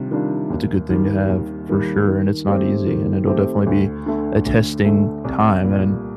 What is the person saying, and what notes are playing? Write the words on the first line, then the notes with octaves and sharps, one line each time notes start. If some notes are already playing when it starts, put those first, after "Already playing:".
that's a good thing to have, for sure, and it's not easy, and it'll definitely be a testing time, and,
Already playing: C3 D#3 G3 D4 F4
D#3 G3 D4 F4
D#2
D#3 G3
D#2
D#3 G3
D#3
A3 C4 G4
D#3
A3 C4 G4
D2
D3 A3
D2
D3 A3
C2
A#2 G3